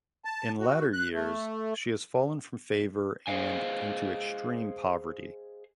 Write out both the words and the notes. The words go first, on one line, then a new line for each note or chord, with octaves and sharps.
In latter years she has fallen from favor and into extreme poverty.
A5
F#4
F#6
A3
G#4 C5 C#5 D#5 F5 G#5